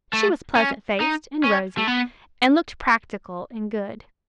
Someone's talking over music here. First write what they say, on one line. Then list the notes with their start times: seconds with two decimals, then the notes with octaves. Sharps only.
She was pleasant-faced and rosy, and looked practical and good.
0.14 A3
0.56 C#4
1.01 D#4
1.44 C#4
1.78 A3
1.88 B3